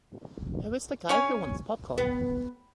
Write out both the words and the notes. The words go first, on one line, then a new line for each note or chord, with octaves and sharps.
Who is the guy who wants popcorn?
C#4 C#5 G#5
B3